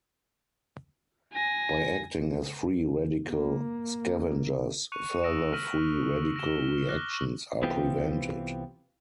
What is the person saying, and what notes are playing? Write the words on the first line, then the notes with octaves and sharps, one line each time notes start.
By acting as free radical scavengers, further free radical reactions are prevented.
G#5 A#6
A#3
C#6 F#6 C#7 D#7 F7
D#6 E6 A#6 D7 E7
F6 A#6 B6 D#7 F#7
A#6 D7 E7 G7
D6 F6 F#6 A#6 G7
C#6 F#7
C2 E3 B3 C4 F4 G4